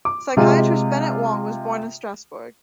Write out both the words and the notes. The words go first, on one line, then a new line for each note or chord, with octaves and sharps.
Psychiatrist Bennet Wong was born in Strasbourg.
D6
C3 G#3 F4 G#4